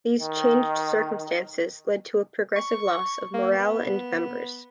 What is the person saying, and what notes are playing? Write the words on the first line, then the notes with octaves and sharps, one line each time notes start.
These changed circumstances led to a progressive loss of morale and members.
D#3
C#6
A#3
B3